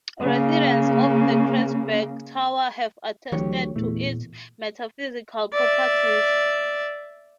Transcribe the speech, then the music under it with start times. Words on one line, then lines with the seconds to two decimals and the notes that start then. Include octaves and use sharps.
Residents of the Kreuzberg Tower have attested to its metaphysical properties.
0.22 C#3 A#3
3.32 D2 E3 F#3 G4 C#5
3.76 E2 A#2 A3
5.53 D5 E5